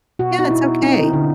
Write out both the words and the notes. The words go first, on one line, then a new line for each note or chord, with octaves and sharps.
Yeah, it's okay.
B2 F#4
D#4
B2 E4
C4 D#4
E4
D3